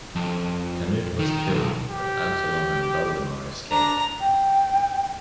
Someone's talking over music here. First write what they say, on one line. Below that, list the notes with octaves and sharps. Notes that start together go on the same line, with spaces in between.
Canute was killed, but Absalon and Valdemar escaped.
F2
D#3
B1 F#2
G4
D4 A#5
G5